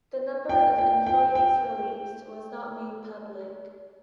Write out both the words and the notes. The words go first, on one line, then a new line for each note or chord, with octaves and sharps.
The number of employees released was not made public.
G5
G5
G5
G5